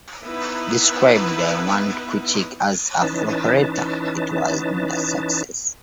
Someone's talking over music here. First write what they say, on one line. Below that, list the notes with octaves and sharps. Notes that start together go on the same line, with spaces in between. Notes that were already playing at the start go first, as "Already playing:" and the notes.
Described by one critic as a "floperetta," it was not a success.
B3 D#4 E4 B4
E3 C#4 D#4 B4 A5